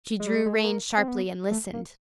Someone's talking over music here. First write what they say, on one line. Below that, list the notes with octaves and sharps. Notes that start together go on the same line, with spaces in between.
She drew rein sharply and listened.
G#3
G3
G#3
G#3
A3
A#3
C4
B3
A3
A#3